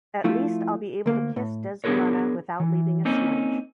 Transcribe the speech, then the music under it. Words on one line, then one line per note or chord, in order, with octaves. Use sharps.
At least I'll be able to kiss Desdemona without leaving a smudge.
F3 A3 E4 F4
D2 A#3
A2
B3 D4 F4 G#4 A#4 C#5
E3
A#3 C4 C#4 D#4